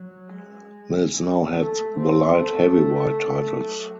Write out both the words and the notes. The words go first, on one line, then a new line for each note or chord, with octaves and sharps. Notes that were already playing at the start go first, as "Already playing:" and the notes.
Mills now had the light-heavyweight titles.
Already playing: F#3
G#3
A3
C4
A3
F#3